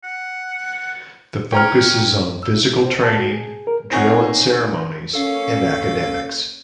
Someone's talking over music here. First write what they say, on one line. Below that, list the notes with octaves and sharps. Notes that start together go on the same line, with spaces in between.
The focus is on physical training, drill and ceremonies, and academics.
F#5
C#4 G5 A#5 F6
E6
E4
C5
A5
F#4
G#4
A#4
C4 D#4 G#4 C#5 F#5
A#3 C#4 A4 F5